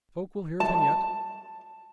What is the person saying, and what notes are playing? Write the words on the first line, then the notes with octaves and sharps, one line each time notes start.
"Folk will hear of him yet."
A5